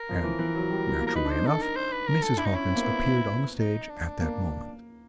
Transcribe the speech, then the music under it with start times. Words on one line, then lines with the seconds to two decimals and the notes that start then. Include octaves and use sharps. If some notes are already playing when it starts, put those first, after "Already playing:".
And naturally enough Mrs. Hawkins appeared on the stage at that moment.
Already playing: A#4
0.09 F3
0.24 E3
0.39 E3
0.55 F#3
0.70 G3
1.01 A#3
1.07 A#4
1.15 D#4 B4
1.25 D4
1.31 D#4 C5
1.47 A4
1.62 A#4
1.76 C5
1.92 B4
2.07 A#4
2.22 A4
2.37 D4 E4
2.46 D#4
2.52 C#4
2.55 E4
2.69 C4
2.76 A#3
2.83 B3
3.59 D#4
3.89 D4
4.21 A#3